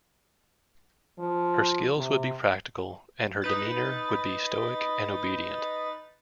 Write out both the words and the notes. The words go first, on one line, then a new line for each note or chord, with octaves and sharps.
Her skills would be practical and her demeanour would be stoic and obedient.
F3
C3
D#4 B4 A6